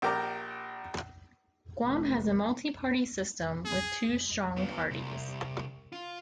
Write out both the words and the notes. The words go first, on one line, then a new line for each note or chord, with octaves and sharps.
Guam has a multi-party system, with two strong parties.
A#1 G4 A#4 D5 A#5
F1
G#4
B3 F4
C2
F4